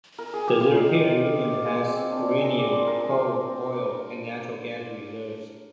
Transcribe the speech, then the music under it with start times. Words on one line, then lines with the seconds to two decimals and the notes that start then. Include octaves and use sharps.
The European Union has uranium, coal, oil, and natural gas reserves.
0.19 A#4
0.33 G#4
0.47 G4
0.61 F4
0.76 D#4
1.65 G#3
1.76 A#3
1.88 C4
2.12 D4
2.17 C4
2.38 G#4
2.44 A#4
2.59 D5
2.73 C5
2.87 A#4
3.00 G#4